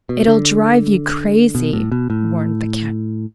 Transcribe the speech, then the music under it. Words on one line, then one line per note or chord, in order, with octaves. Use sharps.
"It'll drive you crazy," warned the cat.
B2
D3
B2
A2
B2
A2